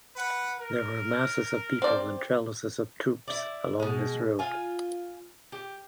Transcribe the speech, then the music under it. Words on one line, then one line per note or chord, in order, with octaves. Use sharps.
There were masses of people and trellises of troops along this road.
B4 F#5
A#4
C4 D5
E4 D5
B2 G#3
F4 G#5
G4